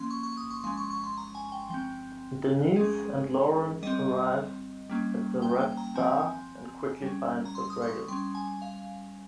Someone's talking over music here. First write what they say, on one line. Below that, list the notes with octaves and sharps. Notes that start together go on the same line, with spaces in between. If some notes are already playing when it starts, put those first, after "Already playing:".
Denise and Lawrence arrive at the red star and quickly find the dragons.
Already playing: F3 A#3 C#4 C6
C#6
C#6
D#6
C#6
F3 G#3 C#4 C6
C#6
C#6
C6
A#5
G#5
G5
F3 C4 G5
F3 G#3 C#4 G#4
G3 C4 D#5
G3 A#3 C#4
G5
G5
A#5
F3 C4 G#5
G3 C#4
A#5
C6
D#6
C#6
G3 C#4 C6
G#5
F5